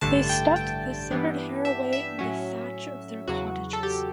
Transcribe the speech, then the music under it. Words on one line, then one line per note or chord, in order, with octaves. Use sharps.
They stuffed the severed hair away in the thatch of their cottages.
A1 G2 D3 A3 A5
G5
G5
G2 E3 B3 D4
E5
E5
A2 F#3 C#4
E2 C#3 F#3 F#4
A4
G4